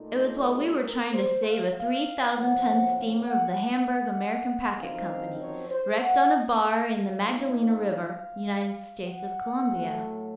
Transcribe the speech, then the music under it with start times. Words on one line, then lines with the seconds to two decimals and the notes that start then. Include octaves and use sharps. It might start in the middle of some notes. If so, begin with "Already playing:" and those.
It was while we were trying to save a three-thousand-ton steamer of the Hamburg-American Packet Company, wrecked on a bar in the Magdalena River, United States of Colombia.
Already playing: A#2 A3 D#4
0.22 F4
0.53 F#4
0.83 A#4
1.13 C5
1.44 F5
1.75 F5
2.35 A2 F3 C4 F#5
2.96 F5
3.27 F#5
3.58 F#5
4.79 F#2 F3 C4 D#4 F5
5.40 C#5
5.70 C5
6.01 F#5
6.62 F5
7.23 A#2 A3 C4 D#4
9.07 F#5
9.66 A2 F#3 A3